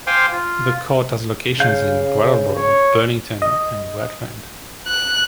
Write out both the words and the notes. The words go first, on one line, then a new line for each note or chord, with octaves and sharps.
The court has locations in Brattleboro, Burlington, and Rutland.
C5 F5 G5 G#5 C6 D6
F4
C#3 F5 G6
C#5
D#5
F#6